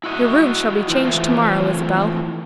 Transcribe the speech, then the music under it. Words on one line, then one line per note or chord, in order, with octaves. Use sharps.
"Your rooms shall be changed to-morrow, Isabel."
E4 F#4 D#5
E3 F3 A3 C4 F4